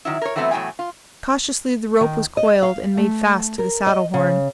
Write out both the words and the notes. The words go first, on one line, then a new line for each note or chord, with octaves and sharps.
Cautiously the rope was coiled and made fast to the saddle horn.
D#3 F#3 E4
A#4 C#5
E3 F#3 A3 B3 C4 E4
E2 A2 F#3 F4 G5 G#5
F4
D#3
D#5
F5
A3
A#4
D#5
C#3